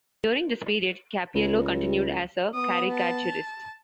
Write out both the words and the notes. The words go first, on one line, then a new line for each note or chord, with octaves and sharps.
During this period, Cappiello continued as a caricaturist.
C#2
B3 D#6
A5